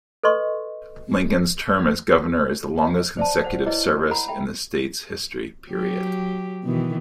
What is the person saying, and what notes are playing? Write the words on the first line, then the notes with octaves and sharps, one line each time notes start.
Lincoln's term as governor is the longest consecutive service in the state's history.
A4 B4 D#5 C6 C#6
C5 D5 E5 A5
C5 F#5
E4 G#4 B4 C#5 D#5
F#5 A#5 B5
E5 G5 B5
F#3 G4
B2 D#3 E3